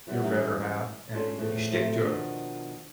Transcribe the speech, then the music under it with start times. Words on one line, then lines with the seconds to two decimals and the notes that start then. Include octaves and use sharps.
your better half, and you stick to it.
0.07 E3 F#3 G3 B3
0.22 E3 G3 C#4 D#4 E4
1.14 C#4 D4 F4 A4 C#5 D5
1.38 E2 A2 F3
1.71 A2 C3 A3 G4
1.99 B2 D#3 F3 B3 D4